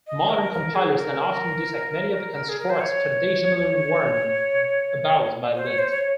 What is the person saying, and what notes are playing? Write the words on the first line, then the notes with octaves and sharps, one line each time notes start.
Modern compilers can often detect many of the constructs traditionally warned about by lint.
D#5
A#4
A#4
G#4
A#4
G#4
A#4
C5
C#5
C5
C#5
C5
C#5
C#5